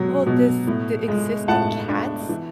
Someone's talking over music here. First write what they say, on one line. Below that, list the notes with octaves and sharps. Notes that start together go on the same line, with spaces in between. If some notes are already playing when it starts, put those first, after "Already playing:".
Well, does the existing cats,
Already playing: B2 F#3
B2
A2
G#3
A2 F#5 A5
D4
E3